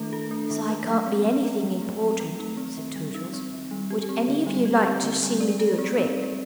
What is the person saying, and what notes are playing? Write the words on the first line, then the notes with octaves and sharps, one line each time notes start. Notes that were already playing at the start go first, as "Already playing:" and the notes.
'As I can't be anything important,' said Tootles, 'would any of you like to see me do a trick?'
Already playing: D#3 A3 D4 A4
A4
D4
D#3
A3
F#3
C4
F#3
A3
F#3
C4
F#3
A3
D#4
C4
D#3
G3
D#4
C4
D#3
G3
G4
C4
D3
G3
G4
C4
D3
G3
D5
A4
C4
D#4
D5